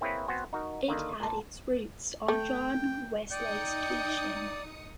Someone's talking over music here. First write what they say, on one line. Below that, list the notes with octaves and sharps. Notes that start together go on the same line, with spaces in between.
It had its roots on John Wesley's teaching.
A#3 C4 E4 G#4 B4 C#5
B3 C4 F#4 C5 G#5
D#4 F#4 A#4
D3 D#3 A#3
A#2 A5
A3 G5
D#4 D5 G5 D#6 C#7